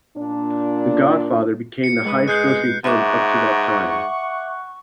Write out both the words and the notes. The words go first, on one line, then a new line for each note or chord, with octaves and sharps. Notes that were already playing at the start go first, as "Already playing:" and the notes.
"The Godfather" became the highest-grossing film up to that time.
A#2 D4
C#7
G#2 B4 D#6
G#3 F#6 G6 C7
G#2 E5 F#5 C#6 D6